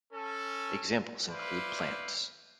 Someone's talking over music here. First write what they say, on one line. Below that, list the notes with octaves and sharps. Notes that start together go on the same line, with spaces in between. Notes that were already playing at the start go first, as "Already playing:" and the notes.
Examples include plants.
C#4 A4
E4 B4 C5 D5 F5